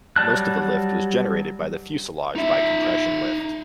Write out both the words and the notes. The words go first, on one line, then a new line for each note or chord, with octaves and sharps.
Most of the lift was generated by the fuselage by compression lift.
F#3 G3 D5 A5 F#6
D#4 E5